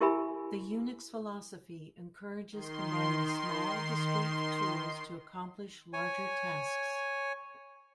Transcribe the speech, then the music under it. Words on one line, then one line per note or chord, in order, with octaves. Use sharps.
The Unix philosophy encourages combining small, discrete tools to accomplish larger tasks.
E4 G4 A#4 E5 G#5 B5
D#3 C6
C#5 G#5